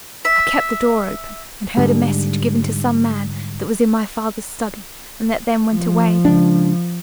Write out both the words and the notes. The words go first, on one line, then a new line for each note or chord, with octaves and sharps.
I kept the door open, and heard a message given to some man that was in my father's study, and that then went away.
E5
G#2 D3 G3
F3
C#3 G#3 D4